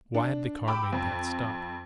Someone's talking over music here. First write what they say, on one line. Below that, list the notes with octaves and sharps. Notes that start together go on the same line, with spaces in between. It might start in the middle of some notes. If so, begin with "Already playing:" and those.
Why had the car made that stop?
D4
G5 B5 D6 E6
F2